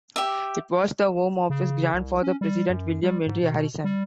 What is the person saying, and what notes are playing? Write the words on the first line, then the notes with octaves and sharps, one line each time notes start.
It was the home of his grandfather, President William Henry Harrison.
G4 E5
C#3
C2
C#4
G3
F#2
G3
G#2
B2
G3